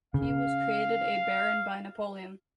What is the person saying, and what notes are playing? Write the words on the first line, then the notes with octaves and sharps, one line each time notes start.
He was created a baron by Napoleon.
C#3 F5